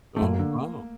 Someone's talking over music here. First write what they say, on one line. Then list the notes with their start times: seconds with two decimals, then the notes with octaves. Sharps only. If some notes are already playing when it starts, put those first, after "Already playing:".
Oh. Oh.
0.17 A3
0.22 F#2 A#3
0.39 D3